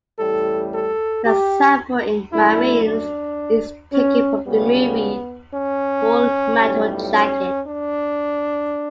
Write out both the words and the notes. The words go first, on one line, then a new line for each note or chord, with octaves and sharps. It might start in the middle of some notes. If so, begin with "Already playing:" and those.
The sample in "Marines" is taken from the movie "Full Metal Jacket".
A1 A2 G3 A4
A4
G4
F#2 D3 A3 E4
D4
C#4
C#2 C#3 G3 B3
C#4
B1 A2 G3
C#4
D4